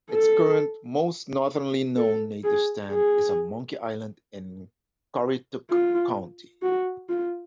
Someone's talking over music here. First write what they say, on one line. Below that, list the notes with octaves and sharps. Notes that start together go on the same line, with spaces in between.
Its current most northerly known native stand is on Monkey Island in Currituck County.
A4
A4
G#4
G#4
F4
F#4
F4